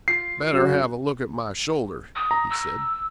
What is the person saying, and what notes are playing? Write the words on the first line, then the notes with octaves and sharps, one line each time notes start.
'Better have a look at my shoulder,' he said.
F4 C7
F#2 F#4
D#6
A#5
E6